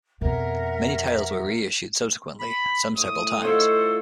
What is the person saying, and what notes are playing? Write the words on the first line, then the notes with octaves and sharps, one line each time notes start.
Many titles were reissued subsequently, some several times.
F2 B2 A#4 C#5 E5 F#5
B5
A2 D#6
F4 A4 C5 C#5 D#5